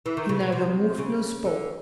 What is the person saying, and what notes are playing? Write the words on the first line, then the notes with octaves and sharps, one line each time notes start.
He neither moved nor spoke.
E3
D#3
C#3
B2
C3
C#3
D3